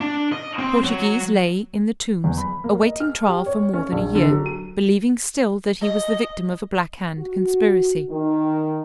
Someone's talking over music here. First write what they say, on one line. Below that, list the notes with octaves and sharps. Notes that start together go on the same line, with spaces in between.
Portoghese lay in the Tombs awaiting trial for more than a year, believing still that he was the victim of a Black Hand conspiracy.
D4
D#5
C4 C5
F#3
E2
B5
A#3
D#5
F6
G4
C#5
C#4
A#1
D3
F#3
D#7
D#5
F#4
D#3